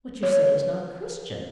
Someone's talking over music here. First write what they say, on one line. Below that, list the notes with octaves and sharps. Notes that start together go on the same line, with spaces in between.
"What you say is not Christian."
C#5